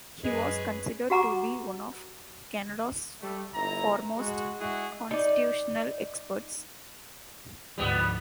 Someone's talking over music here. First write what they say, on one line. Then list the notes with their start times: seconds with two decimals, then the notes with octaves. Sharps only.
He was considered to be one of Canada's foremost constitutional experts.
0.24 F#2 G#3 C#4 G#4 B4
1.10 F#4 G4 F#5 A#5 C#6 D6
3.21 G3 A3
3.55 G1 E4 A#5
4.17 G#3 F#4
4.59 G#3 E4 F#4 G#4
5.11 D#4 D5
7.78 D2 G#2 F3 G3 B3